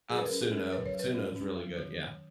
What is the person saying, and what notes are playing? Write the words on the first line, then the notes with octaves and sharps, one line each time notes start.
Um, Suno. Suno's really good, yeah.
F#3 G#4
B4
A#4
C#4
G#4
C#4
A#4
F#3 B4
C#5
F#3
B4
C#4
C#4
F#3
D#3
D#3